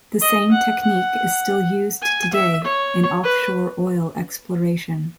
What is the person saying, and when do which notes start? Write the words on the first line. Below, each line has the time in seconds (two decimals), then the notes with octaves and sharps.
The same technique is still used today in offshore oil exploration.
0.21 D#5
0.52 F#5
0.82 F#5
2.02 G#5
2.33 E5
2.63 C#5
3.23 B4